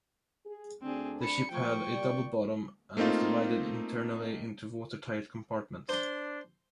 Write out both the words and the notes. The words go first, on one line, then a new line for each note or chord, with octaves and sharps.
The ship had a double bottom, and was divided internally into watertight compartments.
G#4
D2 C4 D4 G#4
B5 C#7
F3 A3 G5 C#6
A#2 G3 D5
A3 A#3 C4 D#4 F4
D4 C5 C6